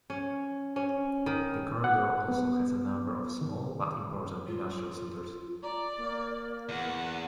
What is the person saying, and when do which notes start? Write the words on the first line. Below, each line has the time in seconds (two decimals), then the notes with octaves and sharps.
The corridor also has a number of small but important industrial centers.
0.10 C#4
0.76 C#4
1.26 D#3
1.84 F#5
2.28 B3
3.41 D#3
4.47 F4
5.63 D5 A#5
5.97 A#3
6.69 E2 F#5